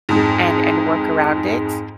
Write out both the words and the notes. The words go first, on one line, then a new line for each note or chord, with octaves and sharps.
and and work around it.
F2 G#2